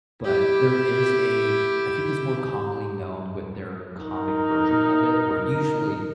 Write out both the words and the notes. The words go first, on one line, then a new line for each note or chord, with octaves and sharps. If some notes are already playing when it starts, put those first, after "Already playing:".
but there is a I think it's more commonly known with their comic version of it where usually
E4 G4
D#4 A#4